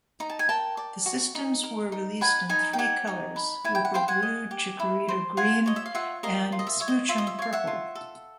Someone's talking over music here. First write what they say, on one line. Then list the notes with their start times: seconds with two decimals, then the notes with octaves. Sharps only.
The systems were released in three colors: Wooper Blue, Chikorita Green, and Smoochum Purple.
0.20 D#4 A#5
0.30 A5
0.39 G#5
0.49 A#4 G5 A5
0.77 D5
1.06 F#4
1.35 D#4
1.63 A#4
1.92 D#4
2.21 B4 F#5 G#5
2.49 D#4 G#5 A#5
2.73 G5
2.78 G4 F#5 G#5
3.07 D#4
3.36 B4
3.64 E4 G#5
3.75 G5
3.85 F#5
3.94 C5 F5 G5
4.08 F#5 G#5
4.23 D#5
4.51 G4
4.80 E4
5.08 C5
5.37 F4 F#5 G#5
5.66 C#5 D#5
5.76 E5
5.86 F5
5.94 F4 E5 F#5
6.23 A#4 D#5 F5
6.52 F4
6.59 D#5
6.67 E5
6.80 C#5 E5
6.88 D#5
7.09 F4 E5
7.18 D#5
7.27 E5
7.39 C#5 F5
7.53 E5 F#5
7.67 F4
7.95 A4